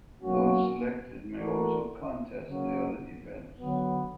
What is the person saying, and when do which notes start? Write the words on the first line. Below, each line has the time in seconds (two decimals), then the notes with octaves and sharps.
Those selected may also contest the other events.
0.21 F#3 A#3 C#4 F#4
1.34 E3 A3 D4 F#4 A#4
2.47 C#3 F#3 A#3
3.59 D3 F#3 B3